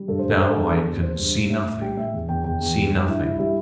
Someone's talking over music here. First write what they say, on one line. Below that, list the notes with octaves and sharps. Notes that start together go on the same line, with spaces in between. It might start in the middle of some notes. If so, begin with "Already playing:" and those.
Now I can see nothing--see nothing!
Already playing: G3
G2 A4
C5
G2
A4
G2 C5
A4
E2
E2
E2
E2 C5
G2
G2
A2 E5
A2
G3 G5
A2 E5
E2
E2 G5
E2 G5
E2
G3
G2
G2 E4
G2 E4
G3 E4